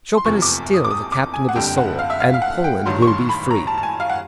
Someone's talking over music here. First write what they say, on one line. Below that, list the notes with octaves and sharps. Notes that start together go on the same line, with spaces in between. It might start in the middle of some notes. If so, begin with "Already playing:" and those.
Chopin is still the captain of his soul--and Poland will be free!
C6
F1 E2 C3 F3 C#6
D6
D#6
D6
D#6
D6
G#5
F#5
F#1 F2 D3 G3 G5
G5
F#5
F5
E5
F5
F5
F#5
G5
A1 G2 D#3 F#3 C6
C#6
C6
B5
A#5
A5
A5
G#5
F5
F#5